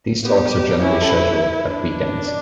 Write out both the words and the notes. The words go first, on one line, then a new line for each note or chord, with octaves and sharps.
These talks are generally scheduled at week-ends.
B3 G4
C#4 E4
G4
A4
B4
D4
D5